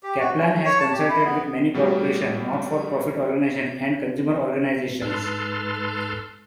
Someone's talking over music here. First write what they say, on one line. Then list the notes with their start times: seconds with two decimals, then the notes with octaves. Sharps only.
Caplan has consulted with many corporations, not-for-profit organizations, and consumer organizations.
0.03 G4
0.20 F#4
0.37 C#4
0.52 A3
0.65 C#5
0.80 A5
0.93 G4
1.08 E4
1.24 B3
1.74 B2 G3 A3 E4 F#4 G4
5.02 G#2 A4 B4 A5 C6 F6